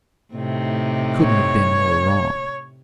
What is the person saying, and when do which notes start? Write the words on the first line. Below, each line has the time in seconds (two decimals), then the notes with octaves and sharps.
He couldn't have been more wrong.
0.34 A2 C3 D#4
1.22 C#5